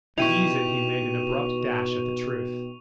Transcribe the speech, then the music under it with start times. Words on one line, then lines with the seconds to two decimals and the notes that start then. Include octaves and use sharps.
To ease it he made an abrupt dash at the truth.
0.18 B2 D#4 E4 G4 C#6 D#7 F7